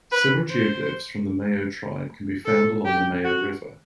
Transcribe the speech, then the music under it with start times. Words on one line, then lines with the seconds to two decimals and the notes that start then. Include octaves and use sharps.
Several geoglyphs from the Mayo tribe can be found along the Mayo River.
0.12 B4
0.51 C5
2.45 A4
2.85 G4
3.24 F#4